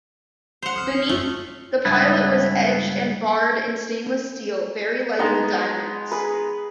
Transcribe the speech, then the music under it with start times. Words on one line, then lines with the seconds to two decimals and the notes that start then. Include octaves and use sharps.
Beneath, the pilot was edged and barred in stainless steel, very like the "Diamond's".
0.62 C5 F#5 F7
0.76 C2 D#6 F6 C7
0.91 D3
1.09 F#1 A3
1.85 C#2 G2 B3 E4 B4 A5
5.19 G#3 B3 D#4
6.11 G#4 B4